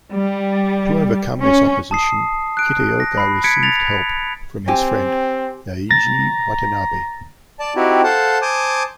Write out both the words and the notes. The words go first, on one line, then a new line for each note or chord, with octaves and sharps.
To overcome this opposition, Kitaoka received help from his friend, Yaeji Watanabe.
G3
C#4
A5 D#6 C7
F#6 D7
A#6
B5 C7
G#6 B6 C#7 D7
A6 F7
C4 G4 G#5
A#5 A6 A#6
D5 A5
C4 D#4 E4 F#4 G4
A4 C5 F5 F#5 A5
C5 G#5 A5 D6 D#6